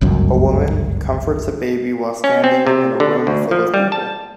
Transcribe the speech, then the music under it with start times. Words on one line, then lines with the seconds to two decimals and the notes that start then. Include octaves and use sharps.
A woman comforts a baby while standing in a room full of people.
0.01 G1 C#2 F#2
2.24 C#4
2.44 C4
2.67 C3
3.00 D3
3.27 D2
3.51 F3
3.74 G3
3.92 A5